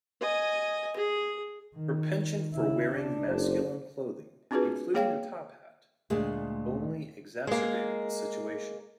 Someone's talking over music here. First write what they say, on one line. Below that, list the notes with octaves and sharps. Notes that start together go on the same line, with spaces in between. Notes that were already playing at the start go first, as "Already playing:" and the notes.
Her penchant for wearing masculine clothing, including a top hat, only exacerbated the situation.
D#5 G#5
G#4
D#3
C#3 E4
D4
F#1 C5
C4 D4 F4 F#4 G#4 B4
A#3 G#4 C#5 F5 G5
D2 A#2 G#3 A3
G#3 A#3